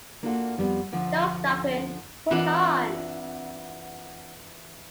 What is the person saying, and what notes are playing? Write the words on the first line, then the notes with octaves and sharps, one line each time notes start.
No Stopping, Push On!
A#3 D4 F4 F#4 G#4 A4
F2 F3 G3 A3 B3 C4
D2 D3 F3 C#4
E3 C4 D4 F4 F#5